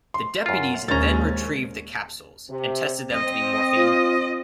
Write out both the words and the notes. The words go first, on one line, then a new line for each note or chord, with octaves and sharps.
The deputies then retrieved the capsules and tested them to be morphine.
C6
F#2 F4
A#1 D#2 G#3 C#4 A#5 A6
C3
C4 D#5
F4